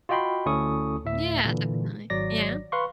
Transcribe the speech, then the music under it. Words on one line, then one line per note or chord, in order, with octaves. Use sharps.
Yeah, definitely. Yeah.
F4 F#4 D#5 G5 B5 C6
D2 C#4 E4 A4 C#6 D#6
D2 A2 E5
A#2 D3 E3
G#1 F#3 D5 A#6
B4 F5 C6 C#6